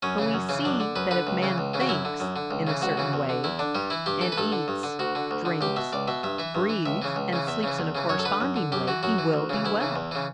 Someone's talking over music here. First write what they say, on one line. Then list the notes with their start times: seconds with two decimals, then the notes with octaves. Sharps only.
So we see that if man thinks in a certain way, and eats, drinks, breathes, and sleeps in a corresponding way, he will be well.
0.03 F#2 C#4
0.18 C#3 E3
0.34 F#2
0.49 C#3 E3
0.65 F#2 D4
0.80 D3
0.96 F#2 B4
1.11 D3 B4
1.27 C#2
1.42 C#3 E3
1.58 C#2
1.74 C#3 E3
1.80 F#4
1.89 F#2 E4
2.05 D3
2.20 F#2
2.36 D3
2.51 C#2
2.67 C#3 E3
2.82 C#2 F#4
2.97 C#3 E3
3.13 E2
3.29 D3
3.44 E2 E4
3.59 D3 D4
3.75 G2 G3
3.90 E3 E4
4.06 G2 G4
4.21 E3 A4
4.32 B4
4.37 G2 A4
4.52 D3
4.68 G2
4.83 D3
4.99 D2 F#4
5.15 D3
5.31 D2
5.45 D3
5.61 C#2 G4
5.76 B2 E5
5.93 C#2 D5
6.08 B2 E5
6.23 G2 E5
6.39 E3 E5
6.55 G2
6.69 E3
6.85 C#2 E5
7.02 C#3 E3
7.16 C#2
7.33 C#3 E3
7.47 E2 E5
7.63 C#3 E3
7.79 E2
7.95 C#3 E3
8.09 F#2 C#5
8.19 A4
8.25 D3 B4
8.41 F#2
8.56 D3
8.72 F#2 G4
8.87 E3 F#4
9.03 F#2 F#4
9.18 E3
9.34 D2
9.49 C#3 E3
9.65 D2 E4
9.81 C#3 E3
9.96 E2
10.11 C#3 E3